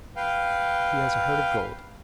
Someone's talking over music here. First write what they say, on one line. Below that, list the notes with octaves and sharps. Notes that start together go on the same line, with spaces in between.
He has a heart of gold.
B4 F5 G5